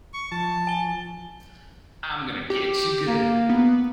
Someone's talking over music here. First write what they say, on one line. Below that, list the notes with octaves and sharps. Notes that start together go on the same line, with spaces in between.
I'm Gonna Getcha Good!
C#6
F3 A5
G#5 G7
G4
A#3
B3